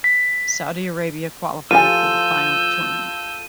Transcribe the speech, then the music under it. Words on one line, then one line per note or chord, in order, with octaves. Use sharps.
Saudi Arabia qualified for the final tournament.
B6
F3 F4 A4 G#5 E6 G6 D#7